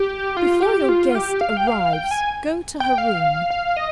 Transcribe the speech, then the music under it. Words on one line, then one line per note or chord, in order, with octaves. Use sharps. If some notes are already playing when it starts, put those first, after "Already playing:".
Before your guest arrives, go to her room.
Already playing: G4
F4
G4
F4
G4
F5
G5
F5
G5
G#5
G5
F5
F5
D#5